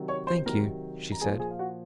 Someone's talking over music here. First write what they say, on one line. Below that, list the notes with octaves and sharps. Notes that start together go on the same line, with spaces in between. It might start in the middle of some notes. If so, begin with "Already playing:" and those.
"Thank you," she said.
Already playing: C3 D#3 F#3
C#5 C#6
C5 C6
C3 D#3 F#3 A#4 A#5
A#5
A#2 F3 G#4 G#5
G#4 G#5
F5
F#4 F#5